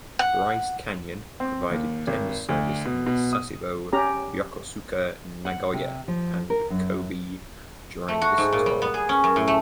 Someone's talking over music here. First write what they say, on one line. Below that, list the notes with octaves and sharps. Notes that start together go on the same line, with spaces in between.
"Bryce Canyon" provided tender service in Sasebo, Yokosuka, Nagoya, and Kobe during this tour.
F#5
C4
D#2
G#1
D2
B2
B2
D#6
C#4 G4 A#5
F#5
C3
F3
A#4
F#2
A3
F#4
G#2
A#2
G3
B3
G#4
C#4
F#2
A2
A3